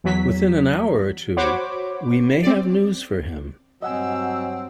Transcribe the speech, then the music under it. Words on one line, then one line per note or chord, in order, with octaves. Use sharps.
Within an hour or two we may have news for him.
E2 F#3 B6
F#4 C5 C#5 B5 D6
C4 D5
G2 F#3 C4 D#5 F#5 G#5 E6